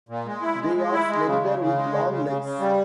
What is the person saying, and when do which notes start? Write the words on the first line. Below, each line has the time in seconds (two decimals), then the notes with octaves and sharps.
They are slender, with long legs.
0.09 A#2
0.25 G#3
0.41 E4
0.59 G#3
0.76 G#3
0.92 E4
1.09 G#3
1.25 C#3
1.42 C#3
1.59 C#3
1.76 G#3
1.93 C#3
2.09 C#3
2.26 C#3
2.42 C#3
2.59 G3